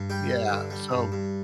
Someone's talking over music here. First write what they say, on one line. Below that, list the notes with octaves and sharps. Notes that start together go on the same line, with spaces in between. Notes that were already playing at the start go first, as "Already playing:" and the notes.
Yeah, so
Already playing: G2
G3 G4
G2
D3
G3
G2
G2